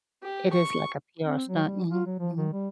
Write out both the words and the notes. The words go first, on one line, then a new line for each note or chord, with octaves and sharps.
It is, like, a PR stunt. Mhm, mhm.
G4
C#6
C4
F#3
G3
F4
F#3
F3
D#3
G3